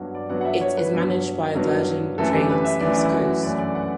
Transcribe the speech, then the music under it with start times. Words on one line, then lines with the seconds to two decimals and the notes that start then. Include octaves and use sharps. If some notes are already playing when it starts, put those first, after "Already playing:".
It is managed by Virgin Trains East Coast.
Already playing: G2 F#3 B3 F#5
0.15 D5
0.30 G2 F#3 B3 F#5
0.41 F#5
0.45 E5
0.61 C#5
0.77 B4
0.92 G2 F#3 B3
1.55 G2 F#3 B3
2.18 F#2 E3 A3 A4
2.34 G4
2.50 B4
2.65 E5
2.81 F#2 E3 A3 D5
2.97 E4
3.13 F#4
3.43 F#2 E3 A3 D5
3.59 D5
3.75 F#5